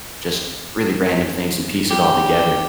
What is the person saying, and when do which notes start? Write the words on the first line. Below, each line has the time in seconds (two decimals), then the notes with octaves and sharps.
just really random things, and piece it all together.
1.91 G4